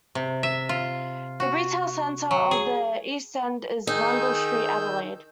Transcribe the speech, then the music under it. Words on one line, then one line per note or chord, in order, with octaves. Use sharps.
The retail centre of the East End is Rundle Street, Adelaide.
C3
E5
F4
F#4
F#3
G#4
D#3 D#4 G#4 E6 G6